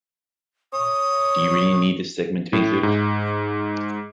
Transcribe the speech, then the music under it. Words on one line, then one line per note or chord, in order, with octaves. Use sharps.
Do you really need this segment to be included?
C#5 D#6
A2
G#2